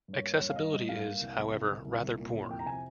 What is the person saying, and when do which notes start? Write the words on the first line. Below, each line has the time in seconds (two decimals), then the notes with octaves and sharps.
Accessibility is, however, rather poor.
0.08 G2
0.13 C#5
0.23 A#3
0.34 C#5
0.40 G2
0.50 F5
0.56 G2 D#5
0.73 G3
0.89 G2 F5
1.05 A#3
1.21 C2
1.37 C2
1.54 C2
1.69 C2
1.85 C2
2.01 C2
2.18 A#2
2.34 C2
2.50 F2 G5
2.59 A#5
2.66 C3 G#5